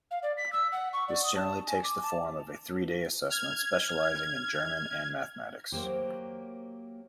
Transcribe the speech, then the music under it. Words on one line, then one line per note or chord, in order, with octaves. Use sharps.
This generally takes the form of a three-day assessment specializing in German and Mathematics.
F5
D5
B6
E6
F#5
C#6
D5
D#6
A5
G#5
D6
A5
F6 G#6
F#3 A#3 G4 C5